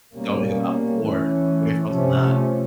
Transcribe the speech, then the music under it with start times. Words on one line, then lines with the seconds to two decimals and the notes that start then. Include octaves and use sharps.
going about before. What are your thoughts on that?
0.16 B2 G3 A#3 C#4
1.03 E3 A3 C#4
1.88 C3 F3 A3 C#4